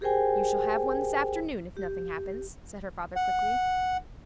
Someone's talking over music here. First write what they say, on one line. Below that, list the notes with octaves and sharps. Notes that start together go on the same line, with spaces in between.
"You shall have one this afternoon, if nothing happens," said her father quickly.
G4 G#4 A#4 C5 G5 G#5
G4
F#5